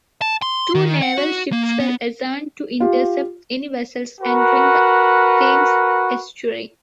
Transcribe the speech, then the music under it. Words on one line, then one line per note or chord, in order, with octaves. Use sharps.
Two naval ships were assigned to intercept any vessels entering the Thames estuary.
A5
C6
D#3
F#5
F#4
A#3
B3
F4 G4
F#4 A#4 B4